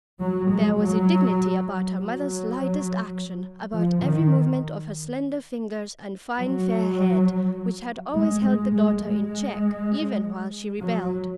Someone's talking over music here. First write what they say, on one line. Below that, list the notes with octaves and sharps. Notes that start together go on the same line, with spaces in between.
There was a dignity about her mother's lightest action, about every movement of her slender fingers and fine fair head, which had always held the daughter in check, even while she rebelled.
F#3
G#3
F#3
F#3
F3
D#3
F#3
G#3
G#3
G#3
G#3
F#3